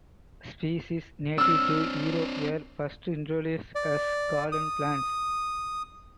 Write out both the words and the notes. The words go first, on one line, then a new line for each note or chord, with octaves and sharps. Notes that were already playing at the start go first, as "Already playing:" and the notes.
Species native to Europe were first introduced as garden plants.
C4 D4 E6 F6
D5
D#6